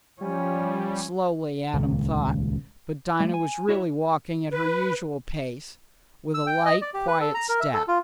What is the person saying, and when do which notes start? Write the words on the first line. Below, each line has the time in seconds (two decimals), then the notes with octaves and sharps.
Slowly, Adam thought, but Dinah was really walking at her usual pace, with a light quiet step.
0.21 F3 G3 C#4
1.73 D#1 C#2
3.20 G3 A3
3.34 G#5
3.69 E4 F#4 C#5 D5 E5
4.53 B4
6.34 E6
6.47 G5
6.66 D#5
6.82 D5
6.94 G4
7.07 B4
7.21 A4
7.34 A#5
7.49 A#4
7.60 E5
7.74 A4
7.88 F4